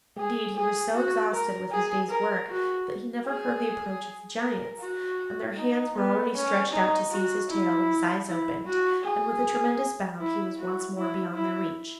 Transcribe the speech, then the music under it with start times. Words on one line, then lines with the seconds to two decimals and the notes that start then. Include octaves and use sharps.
Indeed, he was so exhausted with his day's work that he never heard the approach of the giants, and their hands were already stretched out to seize his tail when his eyes opened, and with a tremendous bound he was once more beyond their reach.
0.18 G#4
0.56 G#4
0.95 F#4
1.33 A#4
1.71 G#4
2.10 A#4
2.49 F#4
3.26 G#4
4.41 A#4
4.80 F#4
5.57 D#4
5.96 B3
6.35 C#4
6.72 D#4
7.11 F#4
7.49 E4
8.26 E4
8.65 F#4
9.04 G#4
10.20 E4
10.58 F#4
10.97 E4
11.35 E4